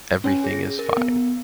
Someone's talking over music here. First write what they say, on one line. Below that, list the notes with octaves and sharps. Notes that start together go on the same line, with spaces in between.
Everything is fine.
C#4 C#5 G#5
G#4 A#6
A#4
B3